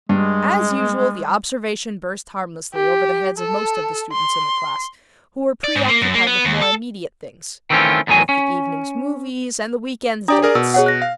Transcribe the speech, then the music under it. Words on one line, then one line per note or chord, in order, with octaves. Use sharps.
As usual, the observation burst harmlessly over the heads of most of the students in the class, who were preoccupied with more immediate things--with the evening's movies and the week-end's dance.
G2 G#3
G4
A4
C6
D5
G#2
A#3
F#2
A#3
B3
D#2
A4
D#3 E3 A3 C4 C#4 F4
E2 A2 D#3 F#3 G#5
C#4
D4 G4 D5 A#5 D#6
G#4 A#4 D5
B2 E6
G#4 C#5 F#5
F#6 A#6
F5